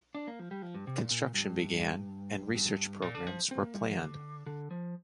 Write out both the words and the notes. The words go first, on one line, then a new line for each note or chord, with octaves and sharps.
Construction began, and research programs were planned.
D4
A#3
F3
G3
F3
G2
C3
A#2
A#2
G2
G2
A#2
D3
F3
C4
A#3
G3
F3
D3
D3
F3